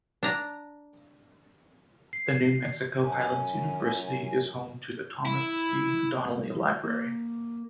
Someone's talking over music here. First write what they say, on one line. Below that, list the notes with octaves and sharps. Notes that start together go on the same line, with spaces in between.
The New Mexico Highlands University is home to the Thomas C. Donnelly Library.
D4 A#5
C7
F#2 G#5
E4
A#3